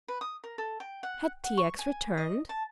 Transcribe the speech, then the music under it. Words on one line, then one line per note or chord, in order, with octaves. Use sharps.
Had T. X. returned!
B4
D#6
A#4
A4
G5
F#5
F#5
C#6
G#5
D#5
A5